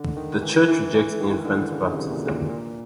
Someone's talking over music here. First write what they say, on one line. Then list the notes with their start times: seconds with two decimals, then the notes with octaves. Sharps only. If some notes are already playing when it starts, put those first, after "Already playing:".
The church rejects infant baptism.
Already playing: D3
0.17 D#3
0.42 E3
0.68 E3
0.95 E3
1.20 D#3
1.45 D3
1.72 C#3
1.91 C3
2.10 A#2
2.29 A#2
2.49 A#2